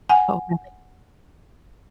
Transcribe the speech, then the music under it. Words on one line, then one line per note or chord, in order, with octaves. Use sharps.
Oh, really?
F#5 G#5